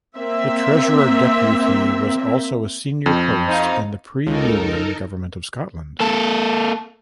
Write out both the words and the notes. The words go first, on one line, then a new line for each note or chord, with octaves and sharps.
The Treasurer-depute was also a senior post in the pre-Union government of Scotland.
A#3 C4 E5
F2
C4 D#4 F5
C#2 D#4 A4 A#4
A#3 A4